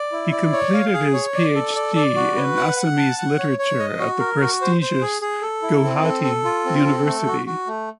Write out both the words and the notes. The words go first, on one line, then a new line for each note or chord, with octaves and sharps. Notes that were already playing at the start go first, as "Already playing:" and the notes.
He completed his PhD in Assamese literature at the prestigious Gauhati University.
Already playing: D5
E4
D5
C#5
F5
G#4
C#5
D5
A4
D5
D5
F#4
B4
F#5
F#5
A5
F#5
C#5
C#5
D#5
F#4
A#4
F#4
C5
C5
G#4
G#4
A4
E4
C4
A4
A4
F4
C4
A4
A3
F#4
F#4
A3